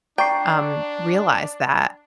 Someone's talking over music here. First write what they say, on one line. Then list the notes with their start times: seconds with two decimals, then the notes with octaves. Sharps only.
um, realized that.
0.18 D4 D5 G5 A#5 C#6 C7